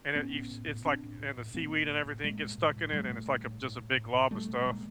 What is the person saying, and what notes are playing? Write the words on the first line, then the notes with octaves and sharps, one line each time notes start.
and it eves it's like and the seaweed and everything gets stuck in it, and it's like a just a big glob of stuff.
A2 B3 C#4
A2
A2
A2
A2 C4 D4
A2
A2
A2
A2 A#3 C4
A2
A2
A2
A2 G#3 A#3
A2
A2
A2
A2 G3 A3
A2
A2
A2
A2
A2
A2
A2
A#2 G3 A3
A#2
A#2 G#3 A#3